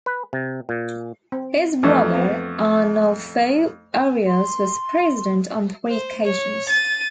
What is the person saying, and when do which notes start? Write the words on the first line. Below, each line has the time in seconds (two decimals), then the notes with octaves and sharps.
His brother Arnulfo Arias was president on three occasions.
0.06 B4
0.33 C3
0.69 A#2
1.32 C4
1.83 F2 E3 A3 D4 D#4
2.14 B3 C4
4.27 C6
5.90 C5
6.24 C#5
6.69 A6 D#7